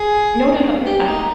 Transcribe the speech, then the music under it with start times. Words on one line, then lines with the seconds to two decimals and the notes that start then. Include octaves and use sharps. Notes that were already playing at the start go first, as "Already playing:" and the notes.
No, no, no, you're fine.
Already playing: G#4
0.86 G4
1.08 D#4